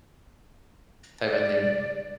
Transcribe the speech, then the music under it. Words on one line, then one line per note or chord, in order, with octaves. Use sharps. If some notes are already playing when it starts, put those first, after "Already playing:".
type of thing.
D5